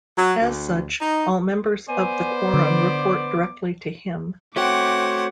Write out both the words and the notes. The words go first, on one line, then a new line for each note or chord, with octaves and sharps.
As such, all members of the Quorum report directly to him.
F#3
D2
D#4
B3 C5 D5 G#5
D3 D6
A3 C4 F#4 C5 C#5 F#5 G5 D6